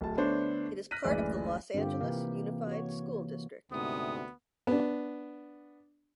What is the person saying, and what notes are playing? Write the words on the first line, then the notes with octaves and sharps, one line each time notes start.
It is part of the Los Angeles Unified School District.
D1 A3 A5
D3 A3 B3 D4 C5 C#5
F6 F#6 A#6 B6 D#7
F#1 D2 E3 G#3 D5 F#6
G2 D3 C4 F4 G4
C3 E3 A#3
F#4 C#5
D2 G#2 C3 B3 D#6
B3 D4